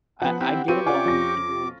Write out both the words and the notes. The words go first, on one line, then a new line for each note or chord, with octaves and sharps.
I I get along with people
F3 B3 F#5
C4 E4 G4
C4 F4 G4 B4 C#6 D#7
C#4 F4 D5 F#5 G#5 D6
F2 A#6